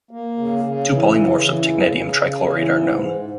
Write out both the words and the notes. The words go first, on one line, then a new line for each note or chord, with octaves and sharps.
Two polymorphs of technetium trichloride are known.
A#3
C#3
C#3
E3
C#3
E3
C#3
C#3
C#3
E3
G#2
G#2